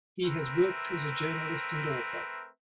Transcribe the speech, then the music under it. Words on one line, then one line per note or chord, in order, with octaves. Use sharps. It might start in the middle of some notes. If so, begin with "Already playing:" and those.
He has worked as a journalist and author.
A3 C4 A#4 B4 E5